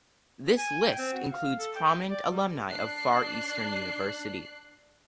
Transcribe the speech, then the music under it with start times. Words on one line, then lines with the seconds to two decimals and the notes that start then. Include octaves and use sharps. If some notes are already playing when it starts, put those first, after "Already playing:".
This list includes prominent alumni of Far Eastern University.
0.58 G#5
0.86 G5
0.98 C4
1.14 F#4
1.32 F5
1.59 A4
1.76 G5
2.10 D5
2.27 G3
2.70 D4 F#6 C7